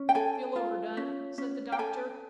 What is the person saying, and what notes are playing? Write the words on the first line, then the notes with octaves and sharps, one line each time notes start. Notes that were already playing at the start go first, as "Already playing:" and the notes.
"Feel overdone?" said the doctor.
Already playing: C#4
G5
A4 G#5
F4
C#4
C#4
G5
A4 G#5